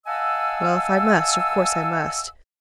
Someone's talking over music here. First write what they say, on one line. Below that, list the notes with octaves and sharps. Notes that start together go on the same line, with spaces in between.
Well, if I must, of course I must.
D#5 F5 F#5 G#5 A5 E6